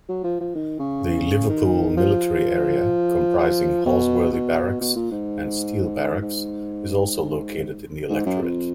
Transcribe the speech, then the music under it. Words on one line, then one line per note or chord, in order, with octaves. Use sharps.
The Liverpool Military Area-comprising Holsworthy Barracks and Steele Barracks-is also located in the electorate.
F#3
F3
F3
D#3
C#3
D#3
F3
F3
B2
B2
B2
A#2
G#2
G#2
G#2
F#2
F2